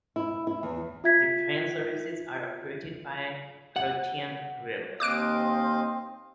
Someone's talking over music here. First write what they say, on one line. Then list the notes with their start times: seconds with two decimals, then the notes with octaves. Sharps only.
The train services are operated by Croatian railways.
0.16 E4
0.47 E4
0.63 E2
1.04 F4 E5 G#6 B6
3.76 F#5
5.00 D#2 C4 D#5 F5 D6 F#6 D7